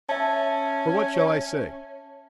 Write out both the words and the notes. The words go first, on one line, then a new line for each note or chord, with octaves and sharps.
For what shall I say?
C#4 E5 A5